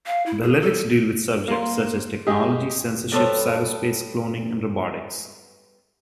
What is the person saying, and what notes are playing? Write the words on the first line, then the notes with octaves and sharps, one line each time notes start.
The lyrics deal with subjects such as technology, censorship, cyberspace, cloning and robotics.
F5
E4
G#4
A4
A#3 C6
G4 G#4 D#5
G3 B3 A4 C5 C#5